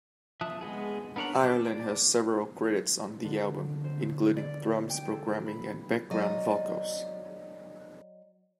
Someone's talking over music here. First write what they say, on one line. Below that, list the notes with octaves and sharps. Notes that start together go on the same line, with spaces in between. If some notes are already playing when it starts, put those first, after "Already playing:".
Ireland has several credits on the album, including drums, programming, and background vocals.
F3 E5 A5 D#6 F#6
G#3 B3 G#4
B3 D4 A#4 C#5 F#5
A5 D6
D5
D3
C5
D5
G5
A4
B5
F#3 D5 D#5